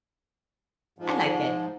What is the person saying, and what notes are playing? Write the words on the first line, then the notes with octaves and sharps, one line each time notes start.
I like it.
G#2 F3